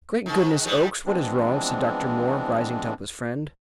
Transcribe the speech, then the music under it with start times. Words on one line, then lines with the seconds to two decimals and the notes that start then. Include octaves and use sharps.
"Great goodness, Oakes, what is wrong?" said Dr. Moore, rising to help his friend.
0.26 G#2 D#3
0.66 G#2 G3
1.05 E3 F3 G#3 B3 C4 D4